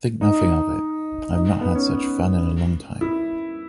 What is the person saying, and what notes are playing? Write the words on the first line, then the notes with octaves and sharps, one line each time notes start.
Think nothing of it. I’ve not had such fun in a long time.
D#4
D#4
B3
C#4
C#4
E4